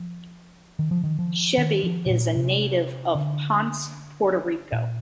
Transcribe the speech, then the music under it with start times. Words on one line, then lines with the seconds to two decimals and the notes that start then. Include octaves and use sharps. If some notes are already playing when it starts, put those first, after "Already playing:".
"Chevy" is a "native" of Ponce, Puerto Rico.
Already playing: F3
0.79 D#3
0.91 F3
1.04 D#3
1.19 F3
1.58 D#3
1.84 F3
2.06 C3
2.10 A#2
2.37 C3
3.15 D3
4.72 A#2